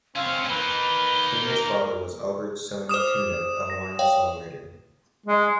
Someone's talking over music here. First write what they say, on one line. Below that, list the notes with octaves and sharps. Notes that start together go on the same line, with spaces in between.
Cunha's father was Albert "Sonny" Cunha, a Hawaiian songwriter.
C#2 C4 C#4 F5
A#3 D#4 B4 G7
A#4
C5 D6 D#6 F6 E7
A#6
C#5 F5 G5
G#3